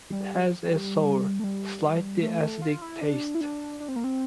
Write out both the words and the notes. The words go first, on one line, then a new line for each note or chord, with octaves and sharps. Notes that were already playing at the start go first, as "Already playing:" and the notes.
It has a sour, slightly acidic taste.
G3
G3
A3
G3
A3
A3
F4
E4
D4
E4
D4
D4
C4
A#3
C4